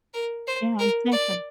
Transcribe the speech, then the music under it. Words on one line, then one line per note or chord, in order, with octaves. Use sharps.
Yeah, exactly.
A#4
C5
A#4
D5